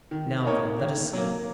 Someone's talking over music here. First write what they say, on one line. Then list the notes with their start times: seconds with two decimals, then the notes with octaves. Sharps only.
Now, then, let us see.
0.11 D#3
0.44 A#3 D#4 A#4 C#5
0.78 D#3
1.13 F#3 A#3